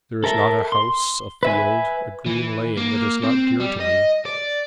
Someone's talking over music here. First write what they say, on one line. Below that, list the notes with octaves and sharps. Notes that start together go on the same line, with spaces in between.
There is not a house, a field, a green lane, that is not dear to me.
A4 A#4 E5
C6
B4 E5 G#5
E3
A#3
C4
G3
D#5
D5